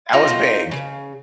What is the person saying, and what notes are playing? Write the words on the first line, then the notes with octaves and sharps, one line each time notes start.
That was big.
C4 D#4 F4 F#4
C#3